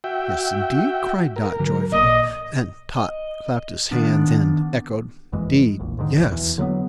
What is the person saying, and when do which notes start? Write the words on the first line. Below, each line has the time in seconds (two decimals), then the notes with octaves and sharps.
"Yes, indeed!" cried Dot, joyfully; and Tot clapped his hands and echoed: "'Deed, yes!"
0.04 F#4 E5 G5
1.36 A#4
1.60 G#2 D3 F#3
1.92 A1 A#2 D5 D#5
2.97 D#5
3.91 D#3 B3 D4
5.32 G#1 F2 E3 G#3
5.79 E1 A#1
5.98 G#2 D3 D#3
6.16 D#1 B1 E2
6.32 E2
6.58 D3 F#3 G#3 B3